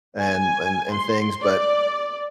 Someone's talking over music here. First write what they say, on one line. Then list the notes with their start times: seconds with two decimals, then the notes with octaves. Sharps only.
and and and things, but
0.21 G#5
0.92 C6
1.42 D5